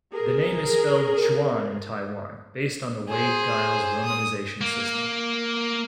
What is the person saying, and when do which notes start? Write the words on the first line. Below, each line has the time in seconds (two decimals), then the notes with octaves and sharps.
The name is spelled Chuan in Taiwan, based on the Wade-Giles romanization system.
0.11 G#4 A#4
3.09 G#4 C5
4.05 D#6
4.61 A#3